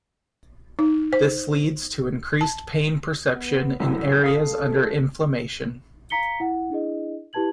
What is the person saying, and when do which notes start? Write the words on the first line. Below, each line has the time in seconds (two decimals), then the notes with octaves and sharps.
This leads to increased pain perception in areas under inflammation.
0.79 D#4
1.13 C5
2.41 A5
3.33 B3
3.80 C2 F#2 A2 D3 B3
4.23 F2 A4 F5 D#6
6.10 F5 A#5 B6 C#7 G7
6.40 E4 F#5
6.70 D4 E4 G#4 D#5
7.33 E4 G4 B4 A5 G#6 F#7